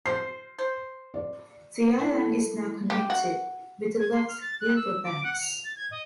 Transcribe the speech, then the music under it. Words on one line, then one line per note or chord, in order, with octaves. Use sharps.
The island is now connected with the left river banks.
C5 C7
C5
D5
A3 E4
G4
F#4
G#6
C6
F6
A6
F#6
E6
D6
F#5
F7
A6
G#6
D#5